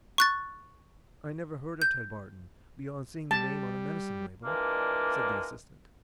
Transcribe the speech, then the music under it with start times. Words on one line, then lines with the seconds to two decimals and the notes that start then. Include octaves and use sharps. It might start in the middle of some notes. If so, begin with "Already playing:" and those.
"I never heard of Ted Barton, beyond seeing the name on a medicine label," said the assistant.
0.18 C#6 F#6 A6
1.82 G6
3.31 G3 A5
4.44 A#2 E3 G#3 A#3 D4